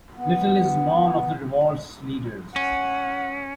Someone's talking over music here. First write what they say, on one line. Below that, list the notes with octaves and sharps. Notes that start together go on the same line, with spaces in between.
Little is known of the Revolt's leaders.
B3
C#4 F#5